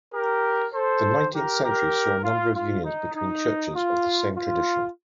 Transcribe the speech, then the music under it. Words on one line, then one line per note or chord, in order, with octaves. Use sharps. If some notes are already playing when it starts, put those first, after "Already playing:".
The nineteenth century saw a number of unions between churches of the same tradition.
G4 A#4
A4 C5
G4 A#4
G4 A#4
F4
F4
D#4
D#4
F4
F4